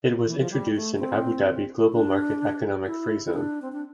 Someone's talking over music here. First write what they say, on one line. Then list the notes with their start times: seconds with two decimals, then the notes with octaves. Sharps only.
It was introduced in Abu Dhabi Global Market economic free zone.
0.26 E3
0.38 F3
0.51 G3
0.75 A3
0.98 C4
1.82 E4
1.93 D4
2.86 E4
3.26 E4
3.34 D4
3.62 C4
3.72 D4